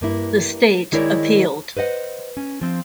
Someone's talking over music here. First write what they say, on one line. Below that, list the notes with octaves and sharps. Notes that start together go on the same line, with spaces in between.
The state appealed.
G2 A#3 E4
D#3 G#3 E4 A#4 C#5 D5
B4 C5 D#5 F#5
C#4
F3 C4